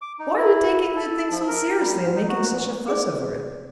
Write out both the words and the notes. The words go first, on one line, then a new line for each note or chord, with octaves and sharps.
"Why are you taking the thing so seriously and making such a fuss over it?"
D6
D#4
E4
A4
F3
A#4
G3
G#2
D#4
F#4
A#2
G#4 D5 D6